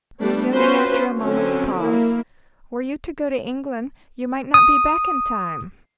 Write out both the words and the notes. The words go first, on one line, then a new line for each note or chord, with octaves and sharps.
Resuming after a moment's pause-- "Were you to go to England, you might not be back in time."
G3 A3 B3 D4
B3 C#4 F4 F#4 B4 C5
D3 F#3 C4 C#4
A#3 E4
D#6